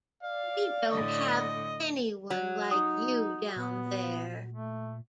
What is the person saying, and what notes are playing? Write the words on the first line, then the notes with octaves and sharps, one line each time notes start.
We don't have anyone like you down there.
D5 F5
A2 D3 D#5
F#3
D#4 D#6
A#2 B3
A3